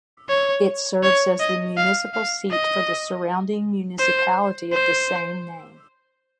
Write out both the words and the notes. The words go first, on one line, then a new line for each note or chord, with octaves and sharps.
It serves as the municipal seat for the surrounding municipality of the same name.
C#5
C#5
D#5
F5
F5
D#5
C5
C5